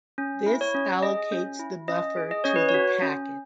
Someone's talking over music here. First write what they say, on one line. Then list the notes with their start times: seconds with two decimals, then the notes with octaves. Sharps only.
This allocates the buffer to the packet.
0.18 C#4
0.46 E4
0.61 C#5
0.75 C#4
1.03 G#4 D#5
1.32 C#4
1.59 E4
1.88 C#4 D#5
2.17 G#4
2.31 D#5
2.44 C#4 C#5
2.56 B4
2.69 C#5
2.74 F#4
3.02 C#4